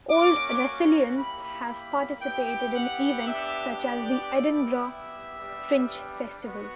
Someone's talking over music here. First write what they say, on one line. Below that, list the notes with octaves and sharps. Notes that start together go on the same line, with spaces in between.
Old Russellians have participated in events such as the Edinburgh Fringe Festival.
A#3 C#4 F#4 D6
A#3 E4 G4 B5
B5
B3 E4 G4 G5
F#5
B3 D4 G4 E5
D5
G3 B3 E4 G4
E5
G3 B3 D4 G4
B3 F#4